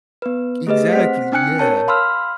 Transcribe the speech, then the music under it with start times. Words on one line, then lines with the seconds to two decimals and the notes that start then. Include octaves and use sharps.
Exactly, yeah,
0.22 B3 B4
0.67 A3 G4 G#4 B4 D#5
0.93 C4 C5 F#5 B6
1.32 C4 D4 G5 G#5 F#6 C#7
1.59 A#4 C#5 A5
1.88 F5 B5 C6 E6 F6